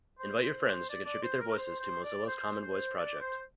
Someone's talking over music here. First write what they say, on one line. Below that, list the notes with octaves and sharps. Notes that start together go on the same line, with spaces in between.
Invite your friends to contribute their voices to Mozilla's CommonVoice project!
C5
C5
C5
D5
D5
C5
A#4
C5
C5
D5
C5
C5
D5
C5